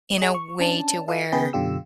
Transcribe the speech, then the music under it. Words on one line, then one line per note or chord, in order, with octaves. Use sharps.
in a way to where
G#4 D#5
C#6
C#4 D4 A5
F4 A4 D#5 F5
C#3 B3 G#4 B4 G5 G6
F#2 B2 D3 F4 G4 E6